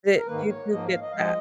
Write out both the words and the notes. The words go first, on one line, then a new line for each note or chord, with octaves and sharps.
th you do get that.
A#4
G#2 D#3 A#3 B4
C#5
G#2 F3 A#3 D#5
F5
D#5
F5
F3 G#3 D#5